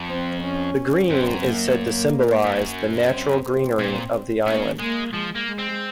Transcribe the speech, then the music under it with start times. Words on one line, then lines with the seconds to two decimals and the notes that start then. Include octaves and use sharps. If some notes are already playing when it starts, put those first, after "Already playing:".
The green is said to symbolize the natural greenery of the island.
Already playing: F2
0.09 C4
0.42 C#4
1.09 F#2 C4
1.44 A#3
2.45 F#2
3.12 C4
3.45 C4
3.79 A#2
4.47 C#3 A#3
4.80 G#3 A#3
5.13 F3 G#3
5.36 A#3
5.46 G#3
5.59 C4